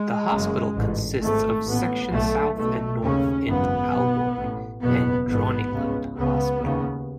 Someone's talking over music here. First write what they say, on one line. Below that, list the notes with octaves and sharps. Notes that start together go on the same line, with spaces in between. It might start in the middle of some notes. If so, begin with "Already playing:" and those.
The hospital consists of Section South and North in Aalborg and Dronninglund Hospital.
Already playing: G#3
F#1 F#2 C#3
A1 G#2
G#1 G#2 A3
A1 A2 B3
B1 A2 A3
B1 B2 A3
D#2 C#3 C#4
G#1 F#2 C#3 B3
B1 B2
A1 A2
F#1 E2 B2 B3
A1 G#2 B3
C#2 C#3
C#2 C#3 B3
D#2 C#3